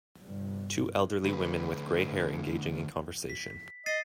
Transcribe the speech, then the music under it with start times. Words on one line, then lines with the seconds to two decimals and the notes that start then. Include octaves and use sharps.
Two elderly women with gray hair engaging in conversation.
0.22 G1 G2 C3
1.24 D2 B4
3.29 B6
3.86 D#5 A6 C7 D#7